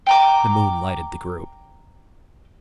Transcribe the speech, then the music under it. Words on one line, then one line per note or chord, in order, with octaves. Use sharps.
The moon lighted the group.
G5 A#5 D6